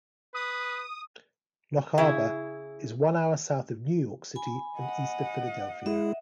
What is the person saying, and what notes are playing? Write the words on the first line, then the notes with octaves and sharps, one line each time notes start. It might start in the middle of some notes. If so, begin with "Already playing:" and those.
Loch Arbour is one hour south of New York City and east of Philadelphia.
B4 D#6
C#3 E4 G#4
G#5 B5
D#5 F#5
G#3 E4 G#4 E5